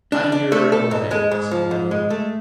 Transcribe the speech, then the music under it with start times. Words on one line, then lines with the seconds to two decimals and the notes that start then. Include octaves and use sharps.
"I hear and obey," said the Demon.
0.12 D4
0.32 D4
0.52 A3
0.72 A4
0.91 G#2
1.11 G#3
1.31 G#2
1.51 F3
1.71 G#2
1.91 G#3
2.10 A3